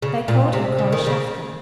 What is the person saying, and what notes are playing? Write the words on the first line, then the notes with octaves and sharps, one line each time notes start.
They called her Khoroshavka.
C#3
A#2
C3
C#3
D#3
C#3